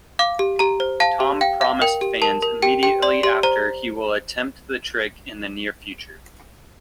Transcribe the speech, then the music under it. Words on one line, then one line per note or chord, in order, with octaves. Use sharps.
Tom promised fans immediately after he will attempt the trick in the near future.
F5 D6
G4
G4 A#5
C5
F5 A5
G4
F5 G5
F5
A#4 G5
G4
A#4 A5
A#4
G4 G5
G4 G5
D5 C6
G4 C6
C5 A#5